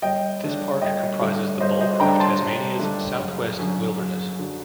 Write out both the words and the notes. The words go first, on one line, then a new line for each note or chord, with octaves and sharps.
This park comprises the bulk of Tasmania's South West Wilderness.
G1 D#5 G5
G2 D3 A3 D4
G1 D#5 G5
G2 D3 A3 D4
G1 C5 D#5
C5 D#5
G2 D3 A3 D4 G5 A#5
A5 C6
G1
G2 D3 A3 D4
F#1
F#2 D3 F#3
F#1
F#2 D3 F#3